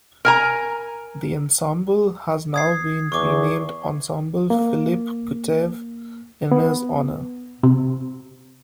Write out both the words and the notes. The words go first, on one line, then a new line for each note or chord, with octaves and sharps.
The ensemble has now been renamed Ensemble Philip Kutev in his honor.
A#4 G#5 A#5
D#6 G#6 C7
E2 C#6 D6
A#3
B3
C3